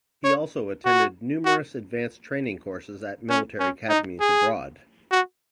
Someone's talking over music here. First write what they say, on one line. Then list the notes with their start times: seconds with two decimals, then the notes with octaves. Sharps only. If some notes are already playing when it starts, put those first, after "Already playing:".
He also attended numerous advanced training courses at military academies abroad.
0.24 C#5
0.86 F#4
1.46 F#4
3.30 C#4
3.60 C#4
3.89 D#4
4.21 G#4
5.12 F#4